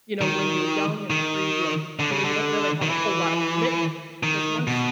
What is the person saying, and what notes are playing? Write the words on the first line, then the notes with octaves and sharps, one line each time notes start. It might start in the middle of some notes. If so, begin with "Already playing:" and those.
you know, when you're young and free and, you know, you don't really have a whole lotta commitments, because once
D#3
D#3
D3
C#3
D3
D#3
E3
D#3
B2